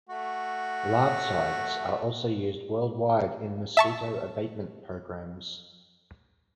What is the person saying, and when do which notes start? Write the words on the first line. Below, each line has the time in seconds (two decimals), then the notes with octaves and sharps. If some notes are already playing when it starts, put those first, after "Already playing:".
Larvicides are also used worldwide in mosquito abatement programs.
0.09 A3 F#4
3.77 E5 A5 C#6